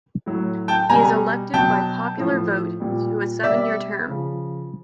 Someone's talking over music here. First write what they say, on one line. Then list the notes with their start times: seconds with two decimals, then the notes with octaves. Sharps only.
He is elected by popular vote to a seven-year term.
0.26 A2 F#3
0.68 G5 A5
0.90 B2 G3 G#5 A#5
1.54 B2 F#3 G5 A5
2.17 A2 F3
2.80 A#2 G3
3.43 B2 G3 D5 E5
4.08 C#3 F3